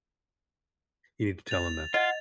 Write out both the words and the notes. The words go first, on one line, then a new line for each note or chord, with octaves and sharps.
You need to tell him that
A6 F7
F4 D#5 F#5